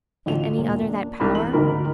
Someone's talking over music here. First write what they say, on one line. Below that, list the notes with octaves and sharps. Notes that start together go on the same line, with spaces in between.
Had any other that power?
A1 D2 F4 F7
E1 A#2
D4
C2 G#3 B5
E2 F#7
A1 D2 G#2 E4 A#4 B5